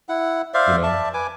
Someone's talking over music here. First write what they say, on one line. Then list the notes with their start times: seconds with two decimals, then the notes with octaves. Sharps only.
you know,
0.09 E4 F#5
0.54 C5 D5 E5 F5
0.83 D5 E5 A5
1.14 B4 G#5 D6